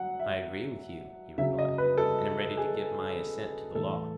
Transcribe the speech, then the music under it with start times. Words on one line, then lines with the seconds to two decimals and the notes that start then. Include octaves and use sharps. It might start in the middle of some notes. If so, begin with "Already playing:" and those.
I agree with you, he replied, and am ready to give my assent to the law.
Already playing: F#3 F#5
0.20 E5
1.38 C#3 F#3 E5
1.59 D#5
1.78 B4
1.98 A4
2.57 G#4
3.75 A2 E3 A4